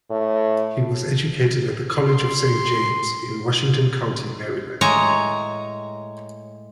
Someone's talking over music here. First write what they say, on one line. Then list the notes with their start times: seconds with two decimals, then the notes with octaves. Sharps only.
He was educated at the College of Saint James in Washington County, Maryland.
0.10 A2
2.07 C6
4.81 A2 G#3 C#5 A#5